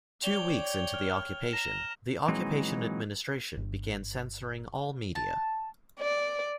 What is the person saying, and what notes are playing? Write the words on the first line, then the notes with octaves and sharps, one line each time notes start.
Two weeks into the occupation, the Occupation administration began censoring all media.
C#5 D5 G5 F7 G7
F6
A#5 A#6 E7
A#2 E3 F#3 G#3 C4 D#4
G1
A5
D5